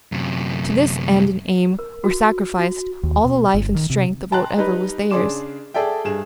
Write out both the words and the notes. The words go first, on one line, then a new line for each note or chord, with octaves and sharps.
To this end and aim were sacrificed all the life and strength of whatever was theirs.
F#2 C3
A#4
F#4
F#4
D#2
B2
G1
D#3
C3
G5 A5 A#5 C6 F#6
G3 D#4 B4
C#3 D4 G#4 C6 D6 E7
G#4 A4 D5 E5 G5
G2 G#4 E7